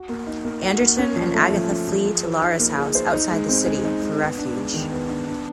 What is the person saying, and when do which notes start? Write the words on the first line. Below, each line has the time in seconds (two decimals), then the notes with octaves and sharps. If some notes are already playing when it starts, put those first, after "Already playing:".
Anderton and Agatha flee to Lara's house outside the city for refuge.
Already playing: F#4
0.09 A#3
0.27 D#4
0.45 A#3
0.63 F#4
0.80 A#3
0.98 C#4
1.16 F3
1.34 A3
1.52 F3
1.70 C#4
1.88 F3
2.05 G#4
2.23 C5
2.41 D#4
2.59 A#3
2.77 G#4
2.95 C5
3.13 D#4
3.31 G#3
3.49 C4
3.66 G#3
3.85 D#4
4.02 G#3
4.20 B3
4.38 D4
4.56 G#3
4.74 D#3
4.92 B3
5.09 D4
5.28 D4